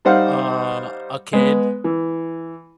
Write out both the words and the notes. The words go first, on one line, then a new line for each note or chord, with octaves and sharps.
Uh, a kid,
G3 D#4 C5 F5 F#5
G#3 B3
E3